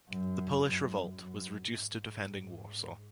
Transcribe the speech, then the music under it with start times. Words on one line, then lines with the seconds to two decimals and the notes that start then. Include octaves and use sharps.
The Polish revolt was reduced to defending Warsaw.
0.09 F#2
0.62 F#2
1.16 F#2
1.68 G#2